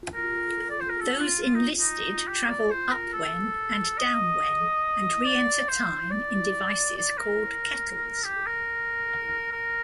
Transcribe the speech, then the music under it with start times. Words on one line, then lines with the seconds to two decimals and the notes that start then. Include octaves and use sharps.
Those enlisted travel "upwhen" and "downwhen" and re-enter time in devices called "kettles".
0.14 A#4
0.70 D5
0.80 C5
0.90 A#4
1.00 A4
1.21 F4
1.42 F4
1.55 D#4
1.79 D#4
2.27 G4
2.49 D5
2.70 C5
2.92 A#4
3.13 A4
3.98 D#5
5.26 D5
5.68 C5
6.11 D5
6.97 D5
7.18 A#4
8.24 G4
8.46 A#4
9.52 A#4